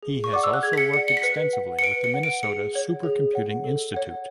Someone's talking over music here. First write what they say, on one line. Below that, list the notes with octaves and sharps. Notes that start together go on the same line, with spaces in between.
He has also worked extensively with the Minnesota Supercomputing Institute.
G#4
C#6
D5 F#5 D6
E6
F#6
G#4 G#6
B6
C#7
D5 F#5 C#7
C#7
B6
B4 C#7
F#5
C#7
B4 D7
C#7
F#5
D7
G#4 C#7
C#5 F#5
G#4
C#5 F#5
A4
C#5 F#5